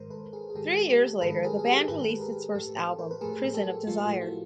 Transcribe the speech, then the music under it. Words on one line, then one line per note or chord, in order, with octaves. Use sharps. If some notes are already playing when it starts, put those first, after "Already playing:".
Three years later the band released its first album, "Prison of Desire".
Already playing: G#2 D#3 G#3 A#4 C5
A4 B4
G#4 A#4
G#4
G#2 D#3 G#3 G4 A4
G4 A4
G#2 D#3 G#3 A4 B4
G#4 A#4
G#4
G4 A4
G#2 D#3 G#3 A4 B4
G#4 A#4
A2 F3 A3 G4 A4
A4 B4
A#4 C5
B4
A2 F3 A3 G#4 A#4
G4 A4
A2 F3 A3 F4
F4
E4 F#4